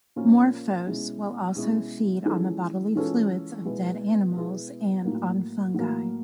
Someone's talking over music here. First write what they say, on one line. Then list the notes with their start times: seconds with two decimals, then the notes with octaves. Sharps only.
"Morpho"s will also feed on the bodily fluids of dead animals and on fungi.
0.16 A#2 F3 A#3 C#4 F4
0.87 B2 G#3 C#4 E4
1.55 B2 G#3 C#4 E4
2.25 E3 G#3 C#4 F4 A4
2.96 E3 G#3 C#4 F4 A4
3.65 B2 G#3 B3 E4 G#4
4.35 B2 G#3 B3 E4 G#4
5.05 A2 F#3 A#3
5.74 A2 F#3 A#3